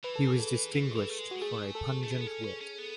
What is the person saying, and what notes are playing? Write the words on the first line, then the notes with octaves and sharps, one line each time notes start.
He was distinguished for a pungent wit.
E3 B4
A4
G#4
A4
E3
E3
A3
G#3
F#4
G#3
A3 G#4
A4
A3
B3
B3
C#4
C#4
C#4
B3